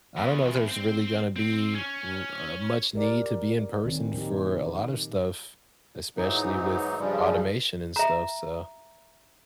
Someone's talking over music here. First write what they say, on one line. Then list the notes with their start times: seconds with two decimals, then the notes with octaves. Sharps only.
I don't know if there's really gonna be r uh much need to be in person for a lot of stuff, especially with automation and stuff. So
0.17 E2
0.68 C4 C5
1.36 C4
1.75 C#4
2.93 G4 A#4 D5
3.86 D#3 C4 C#4
4.14 A#2 F#3 D#4 G4
6.17 G#2 E3 F#3 D#4
6.99 G2 C#3 F3 G3 G#3
7.96 E5 A#5